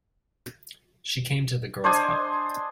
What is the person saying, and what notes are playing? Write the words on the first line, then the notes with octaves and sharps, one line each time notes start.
She came to the girl's help.
D4 C5 D#5 G#5